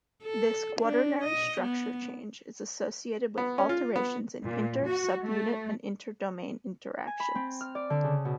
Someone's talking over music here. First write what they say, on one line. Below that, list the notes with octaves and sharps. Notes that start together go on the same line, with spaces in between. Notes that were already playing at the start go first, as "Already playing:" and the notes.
This quaternary structure change is associated with alterations in inter-subunit and inter-domain interactions.
A4
D4
D#5
B3
B3
C#4
F4
B3
A#2
F#4
A3
G#5
B5
C4
F6
D5
D3
C#3
B2